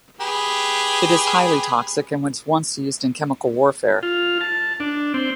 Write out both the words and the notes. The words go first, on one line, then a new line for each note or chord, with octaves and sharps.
It is highly toxic and was once used in chemical warfare.
G4 G#4 B4
F4
A5
D4
C4